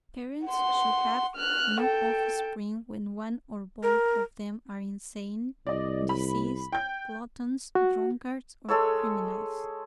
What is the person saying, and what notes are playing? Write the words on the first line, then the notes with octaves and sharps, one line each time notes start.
Parents should have no off-spring when one or both of them are insane, diseased, gluttons, drunkards or criminals.
F#5 C6
F6 F#6
A4 G5
A#4
C2 D5 D#5
B5
G5 G6
F#4
G#3 A4 C#5 E6